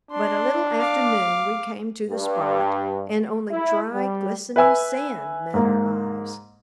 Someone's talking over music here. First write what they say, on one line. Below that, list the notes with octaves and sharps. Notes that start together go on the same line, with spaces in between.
But a little after noon we came to the spot, and only dry, glistening sand met our eyes.
D4 C6
F5 D6
G2
E4
G3
B4 E5 G#5 E6
G#2 A#3